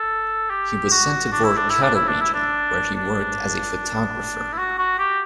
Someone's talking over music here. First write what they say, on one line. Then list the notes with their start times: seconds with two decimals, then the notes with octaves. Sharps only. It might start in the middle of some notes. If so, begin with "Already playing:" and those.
He was sent to Vorkuta region, where he worked as a photographer.
Already playing: A4
0.50 G4
0.91 F#4
1.32 D4
1.44 E4
1.57 D4
1.70 E4
1.82 D4
1.95 E4
2.08 D4
2.21 E4
2.34 D4
2.95 D4
4.53 E4
4.58 F#4
4.79 F#4
4.99 G4